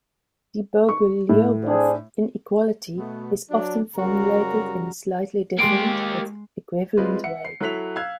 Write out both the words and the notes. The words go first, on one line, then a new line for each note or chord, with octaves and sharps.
The Bogoliubov inequality is often formulated in a slightly different but equivalent way.
C#6
A2
C4 D4 G#4
B2 A3 B3
F#3 D4
F#2 C#3 G3 F#4 A#4 A#5
G#3 A#3 G4 C6 D7
G3 G#3 C4 F4 B4 D#5
E5 F#5 C#7
C7
F#3 E4 A4 F#6 B6 F7
F5 E6 F#6 G#6